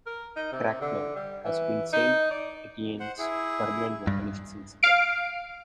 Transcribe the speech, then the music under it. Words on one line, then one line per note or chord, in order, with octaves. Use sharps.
Cracknell has been Saint Etienne's permanent vocalist since then.
A#4
D#4
C3
D3
G3
E3
D#4
D5
C5 F#5
E4 G#4
G2
F5 D7